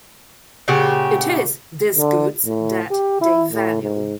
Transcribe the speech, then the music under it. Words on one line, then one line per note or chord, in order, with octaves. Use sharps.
It is these goods that they value.
A#2 C#3 F#4 G4
D3
A2
G4
E4
A2
G#2